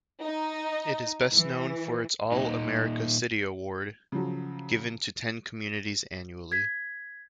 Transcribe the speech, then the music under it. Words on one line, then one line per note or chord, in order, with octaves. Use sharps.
It is best known for its All-America City Award, given to ten communities annually.
D#4
E3
A#2 D#4
C#3 F3 F#3
G#6 B6